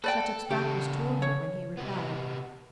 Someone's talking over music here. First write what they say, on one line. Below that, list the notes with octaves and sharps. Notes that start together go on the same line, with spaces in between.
Shattuck's back was toward her when he replied.
A4 B4 D5 G5
C#3 G4 A4
C#5
C3 B3